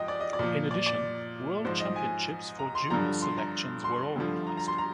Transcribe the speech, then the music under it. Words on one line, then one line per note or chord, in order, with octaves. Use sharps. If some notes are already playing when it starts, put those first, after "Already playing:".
In addition, world championships for junior selections were organized.
Already playing: G#2 F3 D#5 G5
D5
D#5
D5
A#2 F3
D5
D5
G#2 F3 C5
D#5
G#5
A#5
C6
G2 D3 F3 A#5
C6
A#5
C6
G2 D3 F3
A#5
A#5
C6
A#5